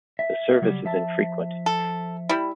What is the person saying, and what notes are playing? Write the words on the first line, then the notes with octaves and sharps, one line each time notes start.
The service is infrequent.
E5
C#3 F#3 G3
F3 E5 A5
A4
G3 E4